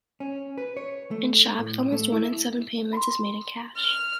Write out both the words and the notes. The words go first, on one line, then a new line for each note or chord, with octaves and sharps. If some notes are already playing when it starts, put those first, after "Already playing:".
In shops, almost one in seven payments is made in cash.
C#4
B4
C#5
A3
A2
A3
E4
B5 C6
F6